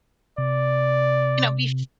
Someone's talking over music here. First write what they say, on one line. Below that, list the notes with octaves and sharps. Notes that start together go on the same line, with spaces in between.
you know, bef
C3 D5